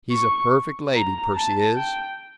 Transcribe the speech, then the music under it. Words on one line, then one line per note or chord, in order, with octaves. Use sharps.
He's a perfect lady, Percy is.
C#6
A#5
A5
G5